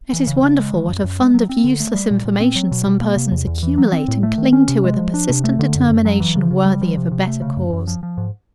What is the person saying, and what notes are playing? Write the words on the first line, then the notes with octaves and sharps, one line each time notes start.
It is wonderful what a fund of useless information some persons accumulate and cling to with a persistent determination worthy of a better cause.
E3
C#3
C#3
G#3
D#3
F#2
F#2
G#3
F#3
C4
D3
A3
G3
A#2
A#2
C4
F#3
B2
B2
A#3
C3
E2
E2
E3
F#3
C4
A2
A3
D#3
C#4
C3
G#3
F3
D4
C3
A3
D3
F#2
F#2
F#3
E3
C#3
C#3
G3
F3
C3
C3
A3
C#3
F#2
F#2
F3
F3
G#2